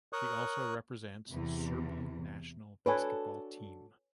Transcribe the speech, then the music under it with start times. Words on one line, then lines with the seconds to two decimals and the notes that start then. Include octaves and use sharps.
She also represents the Serbian national basketball team.
0.13 A#4 C#5 C#6 D#6 F#6
1.31 E2 C3 E3
2.86 D4 F#4 A4 B4 C#5 G#5